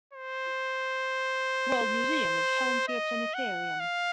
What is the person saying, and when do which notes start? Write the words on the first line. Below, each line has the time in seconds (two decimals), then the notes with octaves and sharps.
World Museum is home to a planetarium.
0.13 C5
2.88 D#5
3.34 F#5
3.80 F5